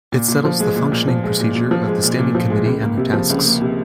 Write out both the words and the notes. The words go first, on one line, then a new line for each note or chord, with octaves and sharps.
It settles the functioning procedure of the Standing Committee and their tasks.
A#2
A#2
F3
G#3
A#2
A#2
F3
G#3
A#2
A#2
F3
G#3
A#2
A#2
F3
G#3
C#2
A#3
C3
F3
C#2
A#3
C3